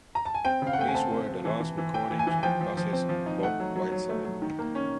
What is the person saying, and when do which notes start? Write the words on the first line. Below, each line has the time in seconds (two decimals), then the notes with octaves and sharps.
These were the last recordings with bassist Bob Whiteside.
0.15 A#5
0.25 A5
0.34 G#5
0.45 C4 G5
0.62 C#3 F5
0.73 F#5
0.79 A3 G5
0.88 G#5
0.94 C4 A5
1.12 C4
1.28 C4
1.45 E3
1.60 E3
1.78 E3
1.94 E3 G5
2.10 E3
2.19 G#5
2.27 E3
2.43 F3 G5
2.61 F3
2.77 F3
2.93 C4
3.09 F3
3.26 D#4
3.43 A3 F#5
3.60 F#3
3.76 F#3
3.92 F#3
4.09 A3
4.25 F#3
4.42 D#3
4.59 A#3
4.75 C#4